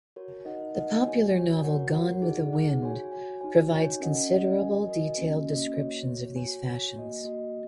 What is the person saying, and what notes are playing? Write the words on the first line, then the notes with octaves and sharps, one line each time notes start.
The popular novel "Gone with the Wind" provides considerable, detailed descriptions of these fashions.
F#4 A#4 C#5
D#4 A#4 D#5 F#5
D#4 A#4 D#5 F#5
F#4 C#5 G#5
F#4 C#5 G#5
F#4 A#4 C#5 F#5
F#4 A#4 C#5 F#5
D#4 G#4 F#5
D#4 G#4 F#5
F#4 C#5 G#5
F#4 C#5 G#5
D#4 F#4 C#5 G#5
D#4 F#4 C#5 G#5
C#4 A#4 D#5 F#5
C#4 A#4 D#5 F#5
F#4 A#4 D#5 G#5
F#4 A#4 D#5 G#5
A#3 C#4 F#4 D#5
A#3 C#4 F#4 D#5
A#3 F#4 C#5
A#3 F#4 C#5
F#4 C#5 G#5
F#4 C#5 G#5
A#3 F#4 D#5
A#3 F#4 D#5